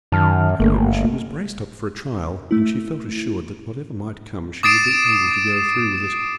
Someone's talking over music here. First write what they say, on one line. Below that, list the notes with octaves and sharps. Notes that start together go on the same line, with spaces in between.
However, she was braced up for a trial, and she felt assured that whatever might come she would be able to go through with it.
F#2 D#3 A5 F6
G1 A3 A#3
A3 E4
D6 D#6 A6 C7 D7 E7